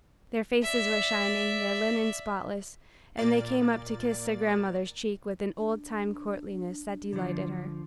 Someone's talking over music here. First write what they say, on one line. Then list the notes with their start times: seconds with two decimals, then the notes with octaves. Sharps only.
Their faces were shining, their linen spotless, and they came up to kiss their grandmother's cheek with an old-time courtliness that delighted her.
0.62 D5 E5
3.17 A#2 A#3 D5 A6
5.58 D4
7.13 D3 F3